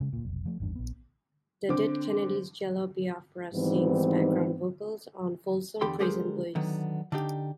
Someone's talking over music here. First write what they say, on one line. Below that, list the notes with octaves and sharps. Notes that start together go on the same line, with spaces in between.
The Dead Kennedys' Jello Biafra sings background vocals on "Folsom Prison Blues".
C#3 G#3
D1 A#2
F1 B1
F3 A3
G#1 E2 G2 D4
A#1 B3
D3 C4 D6
G#2 D#3 E3 G3 B3 C4
E2 D3 G4 G5 B5 C6
D3 G#3 G4 G#4 A#4 C5
D3 D#3 F#3 B3
D3 D4 D#4 G4